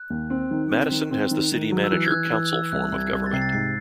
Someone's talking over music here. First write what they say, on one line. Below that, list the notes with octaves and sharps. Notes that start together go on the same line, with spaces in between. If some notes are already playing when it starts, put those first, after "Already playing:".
Madison has the city manager-council form of government.
Already playing: F#6
D#2
C4
D#3
C4
D#3
C4
D#3
D#3
F#3
E6
E3 F#6
G#6
E3 F#6
E3 E6
E3 E6
E6
C2 F#6
C2
G#6
C2
A6
C3 C7
A6
G#2 C7